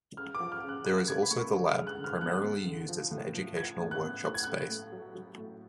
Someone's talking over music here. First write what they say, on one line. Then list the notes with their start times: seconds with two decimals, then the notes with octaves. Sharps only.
There is also The Lab, primarily used as an educational workshop space.
0.17 C#3 F6
0.35 D6
0.40 F3
0.52 F6
0.63 C#3
0.69 F#6
0.85 C#3 F#6
1.08 C#3 G#6
1.22 B5
1.31 A3 C#6
1.53 D3
1.70 F6
1.76 G#3
1.87 F#6
1.98 D3
2.04 F6
2.21 B3 F#6
2.44 B3
2.67 D3
2.89 F3
3.11 A2
3.34 F3
3.57 F3 G#6
3.80 A2
3.91 F#6
4.02 B3
4.24 A2 F#6
4.34 G#6
4.44 A2 F#6
4.70 A3
4.92 F#3
5.15 F#3
5.38 A2